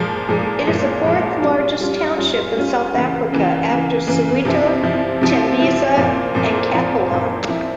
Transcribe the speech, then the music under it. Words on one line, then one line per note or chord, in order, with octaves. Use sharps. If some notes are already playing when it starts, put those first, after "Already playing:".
It is the fourth largest township in South Africa, after Soweto, Tembisa and Katlehong.
Already playing: A#2 F3 G#3
A#2 F3 G#3
A#2 F3 G#3
A#2 F3 G#3
G3 C#4 F4
G3 C#4 F4
G3 C#4 F4
G3 C#4 F4
C#3 E3 A#3
C#3 E3 A#3
C#3 E3 A#3
C#3 E3 A#3
C3 F3 C4 E4
C3 F3 C4 E4
C3 F3 C4 E4
C3 F3 C4 E4
A#2 F3 C4
A#2 F3 C4
A#2 F3 C4
A#2 F3 C4
F3 C4 E4